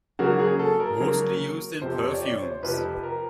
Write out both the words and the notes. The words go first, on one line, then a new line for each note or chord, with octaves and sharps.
Mostly used in perfumes.
C#3 F#3 A#3 F#4
G#4
A4
A#4
C#3 F#3 A#3
F2 C3 F3 C5
C#5
D5
C#5
C5
F2 C3 F3 B4
A#4